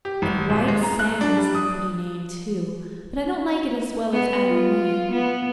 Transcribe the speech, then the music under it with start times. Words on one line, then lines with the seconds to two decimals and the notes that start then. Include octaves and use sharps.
And White Sands is a pretty name, too; but I don't like it as well as Avonlea.
0.05 G4
0.22 G#1
0.50 D#1
0.68 G#3
0.83 A#5
0.99 F#6
1.21 D4
1.37 G3
1.55 D#6
4.13 B3
4.47 F4
5.12 B3